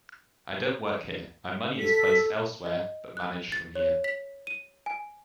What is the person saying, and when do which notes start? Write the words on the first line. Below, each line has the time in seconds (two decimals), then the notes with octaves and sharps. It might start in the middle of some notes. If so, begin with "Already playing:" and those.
I don't work here, my money is placed elsewhere, but managed from here.
1.79 A4 B6
2.66 D#5
3.17 F#6
3.52 A6
3.75 C#5
4.04 B6
4.47 D#7
4.86 G#5